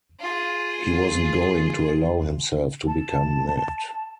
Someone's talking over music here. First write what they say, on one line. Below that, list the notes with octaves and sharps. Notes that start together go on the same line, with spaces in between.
He wasn't going to allow himself to become mad.
F4 G#4
A5